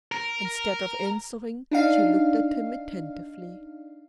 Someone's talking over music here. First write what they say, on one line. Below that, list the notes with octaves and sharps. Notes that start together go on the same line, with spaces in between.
Instead of answering, she looked at him attentively.
A#4
D4 D#4 F5